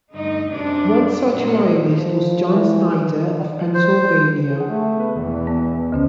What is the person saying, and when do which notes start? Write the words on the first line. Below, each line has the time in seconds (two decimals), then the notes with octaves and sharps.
One such Loyalist was John Snider of Pennsylvania.
0.12 G2 D3 A3 D#4 D#5
0.51 F#2 C3 D4 D5
1.31 A#2 F#3 G#3 D4
1.96 F3
2.51 E3
3.74 C5
4.56 G#4 F#5
4.68 A3
4.97 B3 B4
5.15 E1 E2 E3
5.47 B3
5.92 D2 D3 C#4